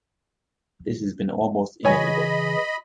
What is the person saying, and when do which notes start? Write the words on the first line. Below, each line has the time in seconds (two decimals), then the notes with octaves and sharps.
This has been almost inevitable.
1.85 C#3 E3 G#4 C#5 D#5 G#5 B5